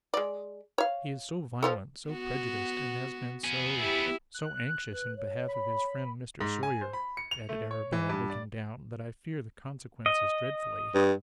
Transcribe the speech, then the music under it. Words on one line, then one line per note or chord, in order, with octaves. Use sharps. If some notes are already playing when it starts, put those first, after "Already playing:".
He is so violent, so prejudiced, and has been so--so anxious in behalf of his friend, Mr. Sawyer,' added Arabella, looking down, 'that I fear the consequences dreadfully.'
G#3 D5
C#5 F5
F3 F4 A4
B3 F#4
B3 G#4
E4 G4
F#6
B4
C#5
B5
G#2
G#5
C5
B5
C#7
F7
A3
C#5
E3
G2
D5
D#5
G2